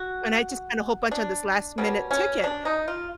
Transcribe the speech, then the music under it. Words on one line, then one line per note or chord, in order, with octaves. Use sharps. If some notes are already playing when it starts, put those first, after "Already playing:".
And I just spent a whole bunch on this last minute ticket.
Already playing: F#4
D4
B2 G3 A#3 C#4
C#4
D4
D#4
F4